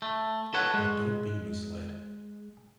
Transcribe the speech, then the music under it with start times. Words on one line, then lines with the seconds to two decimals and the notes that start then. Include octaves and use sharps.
But don't be misled.
0.02 A3
0.54 A4 B4 C#5 F#5
0.74 G#3